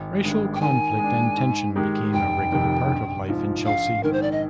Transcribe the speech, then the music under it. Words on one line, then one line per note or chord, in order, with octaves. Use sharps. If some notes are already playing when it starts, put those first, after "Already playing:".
Racial conflict and tension became a regular part of life in Chelsea.
Already playing: G#1
G2 D#3 G#3
G5
D#3 G#5
G#3
D4
G#2
D#3 G#3 D#4 G4
F1 G5
F2 C3 D#3
A#1
G#2 F3
A#1 F5
G#2 D#3 A#4
C5
D5
D#5